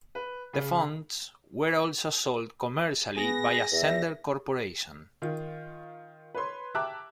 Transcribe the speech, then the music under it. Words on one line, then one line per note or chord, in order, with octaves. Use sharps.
The fonts were also sold commercially by Ascender Corporation.
B4
C#3
B3 G#4 A#6
E2 E5
D#3 F4
B4 C#5 C6
G4 E5 A5 A#5 D6 F#6